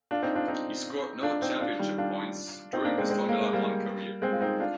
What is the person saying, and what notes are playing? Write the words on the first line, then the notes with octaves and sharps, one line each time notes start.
He scored no championship points during his Formula One career.
D4 F4
C4 D#4
D4 F4
C4 D#4
D4 F4
C4 D#4
D4 F4
D#3 G3
D4 F4
C4 D#4
A#3 D4
G#3 C4
G#3 C4
A#3
G#3
G3 A#3
G#3 C4
F4
C4 D#4
D4 F4